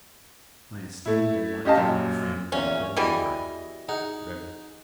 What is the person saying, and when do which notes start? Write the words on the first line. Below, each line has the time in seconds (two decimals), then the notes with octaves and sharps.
My esteemed and life-long friend and co-laborer, Rev.
1.06 A3 E4
1.65 C#4 G4 D#5 F5 A5
1.77 F#2 A#2
2.52 E2 A#2 C#4
2.97 B2 E3 G3 G#4 D#5
3.89 D#4 G#4 F#5